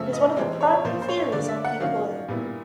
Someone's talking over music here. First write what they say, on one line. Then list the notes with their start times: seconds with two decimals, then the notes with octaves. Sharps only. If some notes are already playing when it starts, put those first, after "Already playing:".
It is one of the primary theories on peak oil.
Already playing: C#3 F3 A3 C#4 E5
0.13 D#5
0.36 C3 E3 G#3 C4
0.61 C#5
0.85 A#2 F3 A#3 C5
1.02 C5
1.08 C#5
1.32 D3 G3 A#3 D5
1.48 E5
1.65 F#5
1.80 D#3 F#3 A#3 C#4 F4 F5
2.28 A#2 G3 B3 E4